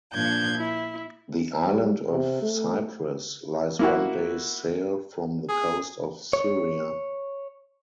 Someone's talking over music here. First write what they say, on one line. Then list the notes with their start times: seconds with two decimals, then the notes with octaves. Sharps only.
The island of Cyprus lies one day's sail from the coast of Syria.
0.14 A#2 F3 D4 G6 G#6
0.56 E4
1.65 G3
2.11 C3
2.42 A3
3.79 A#3 E4 F#4
5.49 G#4
6.33 C#5